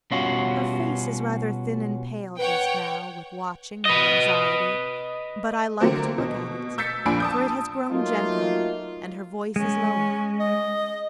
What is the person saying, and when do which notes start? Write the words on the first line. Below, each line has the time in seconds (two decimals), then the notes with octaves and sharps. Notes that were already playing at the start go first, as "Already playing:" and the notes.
Her face is rather thin and pale just now, with watching and anxiety, but I like to look at it, for it has grown gentler, and her voice is lower.
0.11 B2 G3 C#4 F4 F#4
2.38 B4 C#5 F#5 G5
3.85 B4 D#5
5.80 D3 F#3 A3 A#3 C4
6.18 B2
6.78 E6 G6 A6 B6 C#7
7.06 A#1 A#2 D4 G#5 B5 D7
7.20 A5 D#6 G6
7.91 F#3 A3 A#3 D#4 F4
9.56 G#3 C#4
10.39 D#5